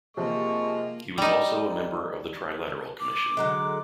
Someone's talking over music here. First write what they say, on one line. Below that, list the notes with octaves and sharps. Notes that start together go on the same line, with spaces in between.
He was also a member of the Trilateral Commission.
C3 F3 G#3 A#3 F4 C#6
G3 D#4
D6
D3 F#3 G#3